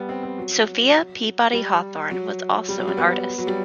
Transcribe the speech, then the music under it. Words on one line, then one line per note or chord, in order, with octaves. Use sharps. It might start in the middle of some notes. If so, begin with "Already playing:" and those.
Sophia Peabody Hawthorne was also an artist.
Already playing: G3 B3
C4
C4
F#3
G3
F#3
G3
F#3
G3
B3
F#3
G3